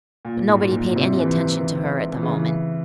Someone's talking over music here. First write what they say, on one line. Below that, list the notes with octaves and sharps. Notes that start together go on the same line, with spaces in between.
But nobody paid any attention to her at the moment.
A#2
G#2
A#2
A#2
C3
E3
E3
C#3
E3